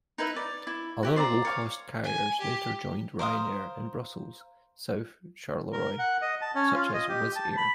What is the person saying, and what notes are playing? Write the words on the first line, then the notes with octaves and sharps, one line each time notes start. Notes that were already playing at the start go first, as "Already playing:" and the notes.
Other low-cost carriers later joined Ryanair in Brussels South Charleroi, such as Wizz Air.
D#4 E4 B4 E5
D5
E4
F#4 G4 E5
C5 D5 A5 A#5
C#5 F5 G5 D6
G#5
G4
A#4 C5 F5 D#6
A#4
F#5
D#5
A5
C#4
F4
D#5
G4
A5
B5